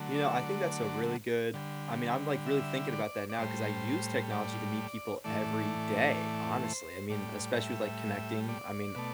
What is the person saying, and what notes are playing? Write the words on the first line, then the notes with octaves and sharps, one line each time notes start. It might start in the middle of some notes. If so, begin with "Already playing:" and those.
You know, I think that's a really good I mean, I'm, like, really thinking about that now 'cause I use technology to meet people every day, honestly, I mean, especially with, like, connecting, I mean,
Already playing: D3 F#3 A3
D5
E5
D5
D3 G3
E5
D5
D5
A2 G3 C5
D5
A2 E3 A3 D5
C5
A2 G3 D5
E5
D5
B2 A3